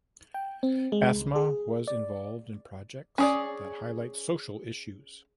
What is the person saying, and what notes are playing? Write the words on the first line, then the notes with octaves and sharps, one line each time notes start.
Asma was involved in projects that highlight social issues.
G5
C4
G#3
C2
G#4
D5
C#4 G#4 D5